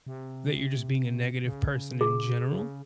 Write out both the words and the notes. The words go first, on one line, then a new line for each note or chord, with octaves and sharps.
that you're just being a negative person in general,
C3
C#3
G#4
C#3